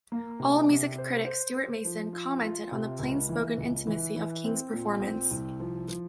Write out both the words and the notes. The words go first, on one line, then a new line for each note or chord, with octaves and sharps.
Allmusic critic Stewart Mason commented on the "plainspoken intimacy" of King's performance.
A#3
C3
C3
C5
C5
C5
F3
F4
F4
C3
C#2
E3
C#2
E3
E3
C4
A#2
C4
C2
F3
F3